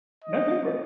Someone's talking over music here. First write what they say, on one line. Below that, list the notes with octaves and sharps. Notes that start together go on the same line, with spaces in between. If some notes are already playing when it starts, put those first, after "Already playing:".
No, go for it.
D#5